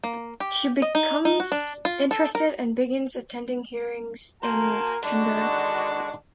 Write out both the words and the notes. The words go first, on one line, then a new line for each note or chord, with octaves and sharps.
She becomes interested and begins attending hearings in Canberra.
A#3
G4
D#5
D#4
D#4
F#4
D4
F4
A4
A#4
A#3 F#4 A#4 C5 G#5 A5
D3 D#3 G#3 D4 F#4